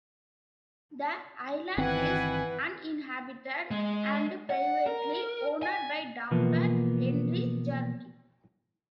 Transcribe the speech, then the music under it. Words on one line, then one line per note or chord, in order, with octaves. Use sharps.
The island is uninhabited and privately owned by Doctor Henry Jarecki.
G1 D#3 E3 C4 B4 F#5 G#5
G#3
F#5
A#4
G#5
B2 E3 F3 A#3 B3